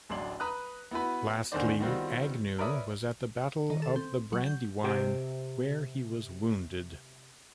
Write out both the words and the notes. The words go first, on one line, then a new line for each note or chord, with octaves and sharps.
Lastly, Agnew was at the Battle of the Brandywine, where he was wounded.
D1 A1 F#3 D4 C6 F#7
B4 A#5 D#6 F#6
B3 E4 F#4 B4
E2 D3 D#3 C5 D5
D#3 G3 B3 C4 F4 F#4
A#4 B4 C#5 D5 E5 D#6
D#3
A4
C4
F#3
G6
C3 G4 C5 D#5 G5